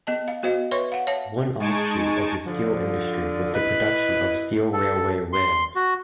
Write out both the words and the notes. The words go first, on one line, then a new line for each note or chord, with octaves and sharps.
One offshoot of the steel industry was the production of steel railway rails.
B3 D#5 A5
F5
B3 F#4 C5 D#5 F5
B4 C#5 E5 C6 C#6
F5 F#5
C#5 E5 F5 A5
G#3 D#4 G#5 A5 C#6 D7
D3 F3
E4 B4 D#5
A4
C6
F#4